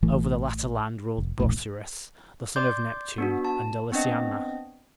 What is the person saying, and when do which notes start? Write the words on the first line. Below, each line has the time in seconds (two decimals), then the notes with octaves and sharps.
Over the latter land ruled Busiris, the son of Neptune and Lysianassa.
0.03 A1 E3 A3
1.18 F1
1.40 E1 A#1 A2
2.56 D5 C6 D6 G6
3.18 B3 D4 F#4
3.45 A5
3.92 B3 C4 D4 D#5